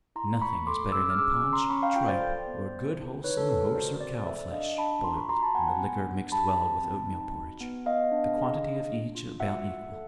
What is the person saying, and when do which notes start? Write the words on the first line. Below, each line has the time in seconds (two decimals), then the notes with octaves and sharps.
Nothing is better than paunch, tripe, or good wholesome horse or cow-flesh, boiled, and the liquor mixed well with oatmeal porridge; the quantity of each about equal.
0.16 E4 A#5 C6
0.41 A3 B5 C#6
0.67 A4 C6 D6
0.92 C#4 D6 E6
1.10 F6
1.18 G#4 D6 E6
1.44 C#4
1.53 A#5 C6
1.70 C#4 B5 C#6
1.83 F5 G5
1.96 F4 F5 G5
2.08 C5 D5
2.21 A4
2.47 B3
2.73 B3
2.98 E4
3.24 D#4 B4 C#5
3.37 A4 B4
3.49 A3 A4
3.63 A#4
3.75 F#4 C5 D5
4.00 C4 C5 D5
4.26 A4 D5 E5
4.52 D4 D#5 F5
4.78 D4 A5 B5
5.04 F4 A#5 C6
5.17 B5 C#6
5.29 F#4 A#5 C6
5.42 A5 B5
5.55 B3 F#5 G#5
5.68 F#5 G#5
5.81 B3
6.06 D4
6.32 G4 A5 B5
6.58 C4
6.84 C4
7.09 D#4
7.35 F#4
7.61 B3
7.86 B3 D#5 F5
8.12 D4
8.37 G#4
8.63 D4
8.89 D4
9.15 F4
9.40 F#4 E5 F#5
9.66 A3
9.92 A4